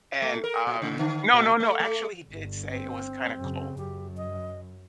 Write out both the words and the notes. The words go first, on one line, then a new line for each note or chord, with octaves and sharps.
And, um no, no, no, actually, he did say it was kinda cold.
A3
A#4
A#2
C#3
D3
A#2
A3
A3
G1
C4
F#2 C#3
F#2 G4
D#5